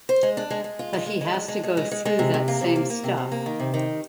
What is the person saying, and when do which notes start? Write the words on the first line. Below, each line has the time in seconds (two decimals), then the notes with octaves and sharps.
But he has to go through that same stuff.
0.09 C5
0.23 G#3
0.37 D4
0.51 G#3
0.64 G#3
0.79 F4
0.93 G#3
1.06 G#3
1.21 G#3
1.34 D4
1.48 G#3
1.63 G#3
1.77 G#3
1.91 G#3
2.05 G#3
2.19 C3
2.34 C3
2.48 A#3
2.61 C3
2.76 A#3
2.90 A#3
3.03 C3
3.18 C3
3.32 A#3
3.46 D#3
3.60 C3
3.74 D#3